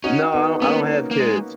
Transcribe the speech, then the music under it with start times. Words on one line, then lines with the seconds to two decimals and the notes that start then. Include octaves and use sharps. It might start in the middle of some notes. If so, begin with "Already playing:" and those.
No, I don't I don't have kids.
0.04 C#4 D#4 F#4
0.33 B3 D#4
0.62 A#3 B3 C#4
1.11 A#3
1.19 G#3